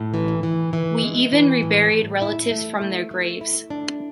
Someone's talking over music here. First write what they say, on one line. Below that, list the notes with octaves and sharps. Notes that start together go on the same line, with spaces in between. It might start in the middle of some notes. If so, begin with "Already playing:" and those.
We even reburied relatives from their graves.
Already playing: A2
E3
E3
E3
G#3
E3
A2
A2
E4
A3
A3
A3
E4
D4